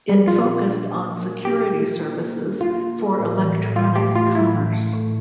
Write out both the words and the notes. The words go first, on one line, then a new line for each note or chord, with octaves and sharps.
It focused on security services for electronic commerce.
F3 G3
A#2 F4
A#2
D4
A#3
A#4
A#4
D4 G4
A#4
F4
A#3
A#3
D4
A#3 F4
A#3
A#4
A2
E3
A2
E3 F4
A3 G4
A3 F4
A2 E4
E3
A3
A2